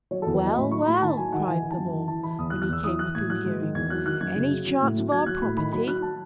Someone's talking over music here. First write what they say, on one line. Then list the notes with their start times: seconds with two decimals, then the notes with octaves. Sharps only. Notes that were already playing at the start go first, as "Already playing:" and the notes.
"Well, well," cried them all, when he came within hearing, "any chance of our property?"
0.11 F#3 C#5
0.22 A4
0.26 E2
0.34 B4
0.41 F#3 D#5
0.56 A2 B5
0.71 F#3 C#6
0.87 A2 B5
1.02 D#3 A5
1.17 F#3 G#5
1.32 D#3 F#5
1.47 E3 G#5
1.63 E3
1.71 A5
1.78 F#2
1.93 E3
2.08 E3 A5
2.23 E3 B5
2.38 E2 D#6
2.50 F#6
2.54 E2
2.62 F#6
2.69 E2 E6
2.84 E3 D#6
2.99 E3 F#6
3.15 A2 G#6
3.30 F#3 F#6
3.45 G#2
3.60 D#3
3.75 E2 G#6
3.90 F#3 F#6
4.05 D#3 F#6
4.21 F#2 G#6
4.36 C#3
4.51 F#3
4.67 F#3
4.82 A2
4.97 F#3
5.12 F#3 G#6
5.26 F#3 F#6
5.42 A2 B5
5.57 D#3 B5
5.73 F#3 B5
5.87 F#3 F#6
6.02 A5